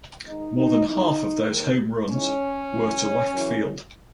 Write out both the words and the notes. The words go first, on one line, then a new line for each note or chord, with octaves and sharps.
More than half of those home runs were to left-field.
G#2 D#3 D#4
D#4
G#2 E3 D#4
D#2 D#3
G#2 E3 C#4
F#2 E3
F#2 C#3 E3